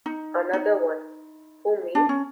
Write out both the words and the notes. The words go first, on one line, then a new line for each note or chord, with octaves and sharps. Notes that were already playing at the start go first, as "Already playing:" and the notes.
Another one, Who me?
D#4
D#4
D4
C#4